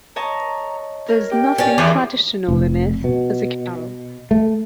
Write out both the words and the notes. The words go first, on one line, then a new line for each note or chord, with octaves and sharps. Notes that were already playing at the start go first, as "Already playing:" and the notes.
There is nothing traditional in it as a carol.
C#5 D#5 A5 A#5
A#4 C#5
G4 G5
C#4 D5
E2 D6
F1
B2
A3